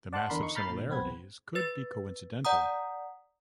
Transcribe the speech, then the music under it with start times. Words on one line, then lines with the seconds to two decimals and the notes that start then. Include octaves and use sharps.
The massive similarities could be coincidental.
0.13 D5 F#5 A5 C6 D6 F#6
0.30 E2 D3 D4 A#4 B5 C6
0.43 D#4 C#6
0.55 A#5 B5 F6 G6 A6 C7
0.69 A#2 D3
0.89 B1 B3 C4 B4 G#6
1.55 B4 A6
2.45 D5 F#5 A#5 D#6